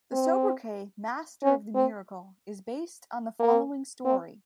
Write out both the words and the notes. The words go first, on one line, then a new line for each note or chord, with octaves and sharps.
The sobriquet "Master of the Miracle" is based on the following story.
C4
C#4
C4
A#3
C4